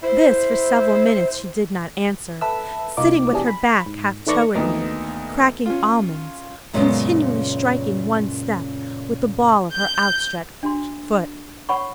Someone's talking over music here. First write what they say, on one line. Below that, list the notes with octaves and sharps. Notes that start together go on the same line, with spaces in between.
This, for several minutes, she did not answer, sitting with her back half toward me, cracking almonds, continually striking one step with the ball of her outstretched foot.
E4 C5
A4 B4 E5 E6
C2 A#3 D#4 F4 D6
B2 E3 G3 D4 G#4
B5
G#2
D#3 A3 B4 D5 C#6 A#6
D2 D#3 A#3 B3
C#4 F4
F#2 A#2 C#3 G#3 B3 C#4
G6
D4 F#4 C6
C#5 F#5 B5 C#6